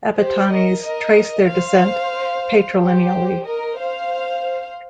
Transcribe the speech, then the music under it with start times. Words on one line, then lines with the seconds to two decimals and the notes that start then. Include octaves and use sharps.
Apatanis trace their descent patrilineally.
0.19 G4 C5
0.51 A#4 D#5
0.84 A#4 D#5
1.49 C5 F5
2.80 G4 C5
3.46 A#4 D#5
3.78 C5 F5